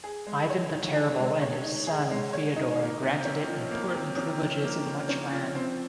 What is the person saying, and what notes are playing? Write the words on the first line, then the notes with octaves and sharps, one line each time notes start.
Ivan the Terrible and his son Feodor granted it important privileges and much land.
G#4
G#3
C#5
D#4
G#4
G#3
C#5
D#4
G#4
G#3
C#5
D#4
A#3
C3
C#4
F3
A#3
C3
C#4
F3
A#3
C3
C#4
F3
C4